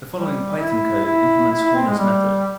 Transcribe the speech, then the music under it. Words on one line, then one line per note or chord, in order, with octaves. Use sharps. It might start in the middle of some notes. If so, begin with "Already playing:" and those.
The following Python code implements Horner's method.
G3
E4
E4
E4
E4
C4
G#3
G3